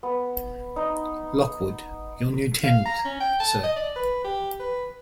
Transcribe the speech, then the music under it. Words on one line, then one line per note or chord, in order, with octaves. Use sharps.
Lockwood, your new tenant, sir.
B3
D#4
F5
A#5
C#4
G5
A5
D#5
D5
B4
G4
B4